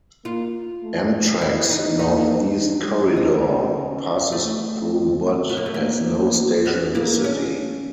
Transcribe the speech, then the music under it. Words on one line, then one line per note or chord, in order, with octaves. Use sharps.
Amtrak's Northeast Corridor passes through but has no station in the city.
A#3 F4
A3
E4
D#4
A#3 D#4
D4 D#4
C#4
A3
C4
B3
A#3
A3
A#3
B3 C#4
A#3
C#4 D4